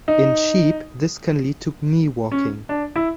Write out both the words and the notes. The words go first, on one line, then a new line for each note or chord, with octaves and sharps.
In sheep, this can lead to knee-walking.
D#4
C#4
D4
E4